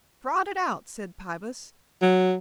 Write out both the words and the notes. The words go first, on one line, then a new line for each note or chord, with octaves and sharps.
"Trot it out," said Pybus.
F#3